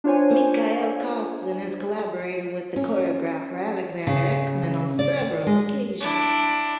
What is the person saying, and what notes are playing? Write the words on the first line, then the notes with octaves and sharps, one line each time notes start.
Mikael Karlsson has collaborated with the choreographer Alexander Ekman on several occasions.
D4 F4 C5 C#5 G#5
C#4
C#3
D5
G#3
D4 E4